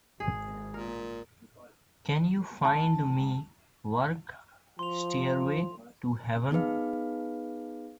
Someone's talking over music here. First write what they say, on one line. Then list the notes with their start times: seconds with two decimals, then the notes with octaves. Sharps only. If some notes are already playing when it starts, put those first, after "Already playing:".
Can you find me work, Stairway to Heaven?
0.20 G#1 G#2 G#4
0.74 A#2 A#4
2.65 A5
4.79 F3 C6 F7
6.51 B3 D#4 G#4 B4 F5